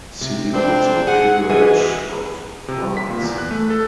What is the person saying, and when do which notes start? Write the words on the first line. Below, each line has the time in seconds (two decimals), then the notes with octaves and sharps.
See also Peerage of France.
0.21 C3
0.54 C4 D4
1.07 G#4 F#5
1.50 G#2 B2 E3 G#4
2.68 C3
2.82 G3
2.97 B6
3.09 A#2
3.22 E2
3.38 F#6
3.51 A3
3.70 A4